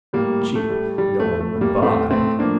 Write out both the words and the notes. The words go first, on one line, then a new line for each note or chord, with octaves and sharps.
Cheap no-one would buy.
A2 G3 A#3
A2
A3
G3
G3
A3
A2
A3
A2
G3 A#3
A2 A3 C4
A2 A3 C4
F3 A#3 D4